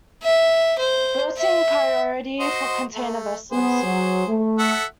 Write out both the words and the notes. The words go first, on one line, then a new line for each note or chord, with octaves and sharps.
Berthing priority for container vessels.
E5
C5
E5
F#4 C5 D#5
A3
B3 G#4 C5
F#3
A3
A4 E5 F#5